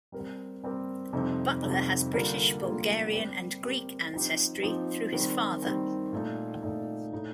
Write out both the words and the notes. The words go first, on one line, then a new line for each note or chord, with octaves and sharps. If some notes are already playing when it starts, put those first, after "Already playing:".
Butler has British, Bulgarian, and Greek ancestry through his father.
G3 C4 G4 A#4
G3 C4 G4 A#4
F2 C3 G3 C4 D#4
F2 C3 G3 C4 D#4
D3 G3 A#3 F4 A#4
D3 G3 A#3 F4 A#4
G3 C4 G4 A#4
G3 C4 G4 A#4
F3 C4 D#4 G4
F3 C4 D#4 G4
D#3 G3 C4
D#3 G3 C4
A#2 A3 D#4
A#2 A3 D#4
A2 A3 D#4